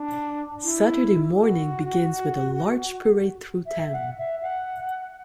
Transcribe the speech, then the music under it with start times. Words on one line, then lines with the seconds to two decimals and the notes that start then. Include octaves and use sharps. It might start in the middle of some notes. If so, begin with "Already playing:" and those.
Saturday morning begins with a large parade through town.
Already playing: D4
0.64 E4
1.40 F#4
3.66 E5
3.93 F#5
4.18 E5
4.43 F#5